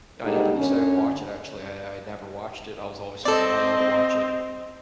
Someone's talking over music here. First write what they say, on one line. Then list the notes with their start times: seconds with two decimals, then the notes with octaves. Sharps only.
I ever used to, uh, watch it actually. I I never watched it. I was always told I'm not allowed to watch it
0.24 D3 G3 G#3 A#3 D#4 G4
0.55 F#2 D3 C#4
3.25 C4 A4 D5 D#5